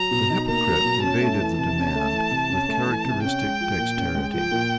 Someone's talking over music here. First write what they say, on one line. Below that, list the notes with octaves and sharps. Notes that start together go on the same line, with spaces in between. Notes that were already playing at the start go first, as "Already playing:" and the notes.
The hypocrite evaded the demand with characteristic dexterity.
Already playing: F#3 A#5
B2
D#4
A#3 A#5
F#3
B2
C#4 A5
A3
E3
C3 A5
C#4
A3
E3
C3
C#4
A3
E3
C3
C#4 G5
G#3
F3
A#2
C#4
G#3
F3 G5
A#2